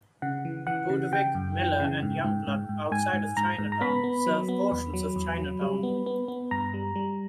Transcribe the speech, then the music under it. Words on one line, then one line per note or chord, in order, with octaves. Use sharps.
Budewig, Miller, and Youngblood, outside of Chinatown, serve portions of Chinatown.
C#3 F#5
E3
E3 F#5
C#3
C#3 G5
F#2
E3
C#3
G#2
G#2
G#2
G#2
G#2 G#5
G#2
G#2 A#5
G#2
A#5
B3 B5
B3
F#3
B3
E2
F#3
E2
F#3
G3
B3
B3
B3
G2 A#5
G3
G3